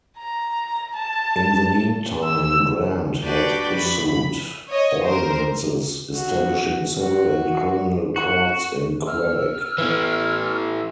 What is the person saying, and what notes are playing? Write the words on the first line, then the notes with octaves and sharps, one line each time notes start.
In the meantime, Grant had issued ordinances establishing civil and criminal courts in Quebec.
A#5
A5
E6
D4 F#4 G4 B4 D5 G6
F2 B5
C#5 D#5
A#4 C5
F#4
F#4
F#4
E6 F6
E3 A3 B3 E4 B4